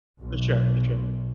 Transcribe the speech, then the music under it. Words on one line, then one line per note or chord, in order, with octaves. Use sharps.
For sure. For sure.
B1